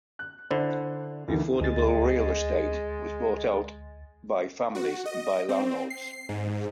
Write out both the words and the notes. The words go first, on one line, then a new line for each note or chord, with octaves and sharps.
The affordable real estate was bought out by families and by landlords.
F#6
D3 E4 C5 D5
D2 D#3 E3
D2 G#3 A6
F#4
D#5
C4
C7
G#2